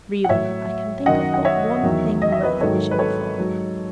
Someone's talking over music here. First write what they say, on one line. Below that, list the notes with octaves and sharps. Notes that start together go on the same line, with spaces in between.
Really, I can think of but one thing worth wishing for.
F#5
A2 F#3 C#5 E5
F#2 D#3 F#3 D#5 F#5
F#5
C#5 E5
E2 D#3 F#3
D#5
E5
B4 D#5
G#2 D#3 F#3 A4 C#5
B4
A4 C#5
G#2 F#3